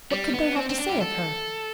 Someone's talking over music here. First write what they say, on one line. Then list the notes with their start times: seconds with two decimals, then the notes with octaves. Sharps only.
What could they have to say of her?
0.12 G3
0.34 B3
0.56 C4
0.70 C4
0.78 D4
0.89 G4
1.00 A4